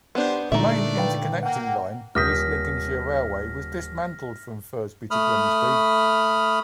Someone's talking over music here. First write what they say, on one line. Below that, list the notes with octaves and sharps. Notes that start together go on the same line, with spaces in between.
The main interconnecting line, the East Lincolnshire Railway, was dismantled from Firsby to Grimsby.
B3 D4 G4 C5
A#2 D3 G#3 A3 D4 D#4 D5 E5
B4 F5 G5
A#3 F#5 G5
D#1 D#6 F6 G6 A#6 B6
A3 B5 D#6 F6